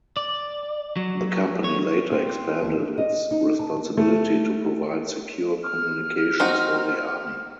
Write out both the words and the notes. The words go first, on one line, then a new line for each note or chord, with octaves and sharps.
The company later expanded its responsibility to provide secure communications for the army.
D5
F#3
C#5
C4
D#2
D4
D#5
D#4
A5
A3
F6
C4 D#4 F#4